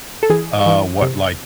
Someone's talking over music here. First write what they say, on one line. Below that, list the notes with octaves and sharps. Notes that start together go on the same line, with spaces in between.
uh, what, like,
A4
E3 G#4
E3
C3